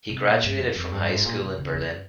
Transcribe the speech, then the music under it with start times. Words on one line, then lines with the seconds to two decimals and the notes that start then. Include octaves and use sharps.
He graduated from high school in Berlin.
0.09 C3
0.26 A#2
0.43 G2
0.59 F2
0.75 F2
0.92 G2
1.09 G#2
1.25 A#2
1.42 C3
1.58 C#3
1.74 F3